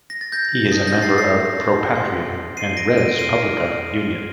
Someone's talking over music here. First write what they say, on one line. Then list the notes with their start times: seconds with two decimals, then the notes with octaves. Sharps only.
He is a member of Pro Patria and Res Publica Union.
0.10 A#6
0.21 A6
0.32 G6 A#6
0.72 A5 D#6 G6 A6
0.87 G6 A#6
1.02 A6 C7
1.18 A6 C7
1.95 C6 G6
2.57 C7 D#7
2.77 A#6 D7
2.97 D#7
3.08 D7
3.19 C6 F6 C7 D#7